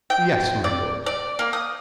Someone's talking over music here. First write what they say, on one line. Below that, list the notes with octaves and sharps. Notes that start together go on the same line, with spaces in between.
"Yes, my lord."
G5
D5
D5
A#3
D#6